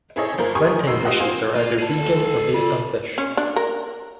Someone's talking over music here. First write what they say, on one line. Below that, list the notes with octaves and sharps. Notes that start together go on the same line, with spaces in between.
Lenten dishes are either vegan or based on fish.
C4 E4 G#4 A4 C#5 D#5
G1 F3 A#3 A#4
G4 A#4 G#5 C6 C#6 D#6
F1 G#2 F#3 D#4 E6 C7
G4 C5 D#5 F5 F#5
C4 F4 G#5 C6
A#3 F4
E4 G#4 A5
D2 A4
C#3 F4 D5
C#4
D4
A#4